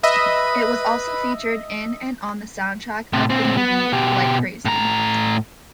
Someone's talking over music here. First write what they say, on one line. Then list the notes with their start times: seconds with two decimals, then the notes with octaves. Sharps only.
It was also featured in and on the soundtrack of the movie "Like Crazy".
0.03 B4 D#5 E5 B5
3.13 A2 C3
3.30 A#2 C4
3.57 B3
3.93 B2 G4
4.65 A2 A#5